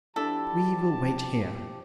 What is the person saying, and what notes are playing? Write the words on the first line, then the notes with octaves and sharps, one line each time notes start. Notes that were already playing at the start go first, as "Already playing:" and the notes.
"We will wait here."
F3 D4 E4 G4 A4 A5